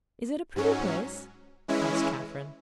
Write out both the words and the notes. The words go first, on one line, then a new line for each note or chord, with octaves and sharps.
"Is it a pretty place?" asked Catherine.
G#2 F#3 C#4
E3 G#3 C#4 E4